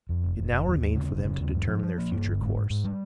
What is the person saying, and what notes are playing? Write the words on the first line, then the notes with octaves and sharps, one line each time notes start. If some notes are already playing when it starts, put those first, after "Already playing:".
It now remained for them to determine their future course.
F2
F1
F1
F1
D#2
D#2
C#3
F1
C#3
D#2
G2
F3
F3
A#3
G2
G1
G#2
G#2
G#2
G3